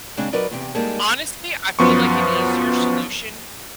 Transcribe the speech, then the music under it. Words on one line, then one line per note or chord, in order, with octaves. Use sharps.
Honestly, I feel, like, an easier solution
C#3 G#3 C4 D4 G#4
F#3 D#4 A#4 B4 D5 D#5
E2 C3 G4
G3 G#3 A#3 D#4 G#4 A4
F#2 F3 B3 C6 C#6